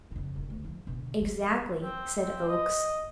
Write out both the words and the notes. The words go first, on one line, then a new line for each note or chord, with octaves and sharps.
"Exactly," said Oakes.
F2 C#3
D#1
D2
F3
B2 D3
F3 G#3
C4
C4
D#5